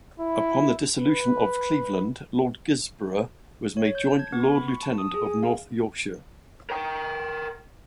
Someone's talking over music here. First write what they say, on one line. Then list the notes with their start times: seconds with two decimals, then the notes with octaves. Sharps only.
Upon the dissolution of Cleveland, Lord Gisborough was made joint lord-lieutenant of North Yorkshire.
0.20 E4
0.99 B4
3.77 C#5
3.95 G6
4.07 A5
4.19 G#6
4.32 B3
4.51 B5
4.68 C#6
4.83 A5
4.98 D#6
5.14 G#4
5.26 G#5
5.43 F5
6.70 A#4 G5